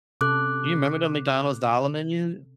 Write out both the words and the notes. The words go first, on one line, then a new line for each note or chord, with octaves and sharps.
You remember the McDonald's dollar menu?
C3 C#4 A4 D6 F#6